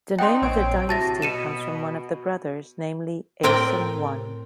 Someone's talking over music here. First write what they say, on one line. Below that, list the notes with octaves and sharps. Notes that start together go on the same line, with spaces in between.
The name of the dynasty comes from one of the brothers, namely Asen I.
C4 D4 D#4 F#5 G5 C6
A#1 C4 C#5 D7
A2 C3 F#4 A5 A6 A#6
B2 C#7 D#7 E7
A2 C4 A#4 D5 G5